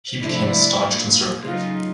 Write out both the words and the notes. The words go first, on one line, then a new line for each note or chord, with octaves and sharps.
He became a staunch conservative.
C3 F3 A3 D4 E4
A#2 G3
C#3 F#3 A3 D#4 F4